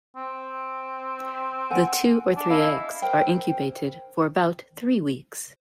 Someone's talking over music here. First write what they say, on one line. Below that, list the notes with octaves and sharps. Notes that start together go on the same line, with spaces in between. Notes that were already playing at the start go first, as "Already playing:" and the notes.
The two or three eggs are incubated for about three weeks.
C4
F#5 G#5
D4
E4 D#5 F5
A#4 C5 G5